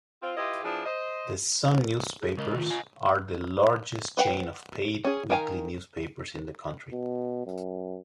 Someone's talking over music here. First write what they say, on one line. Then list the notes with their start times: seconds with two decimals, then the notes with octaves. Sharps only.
The Sun Newspapers are the largest chain of paid weekly newspapers in the country.
0.21 C4 F4
0.36 E4 F4 G4 B4 D#5
0.63 F3 B3 D4 E4 G#4
0.85 C5 D#5
2.21 G#4
2.37 C#3 G#3 A#4 D#5
2.56 A2 D#3 A3 F4
2.70 D#5 F5 G#5
4.17 B4 F#5 G5
5.04 C#4 G#4
5.30 D#3 A#4 F5 G#5 A#5
6.93 B2
7.46 F#2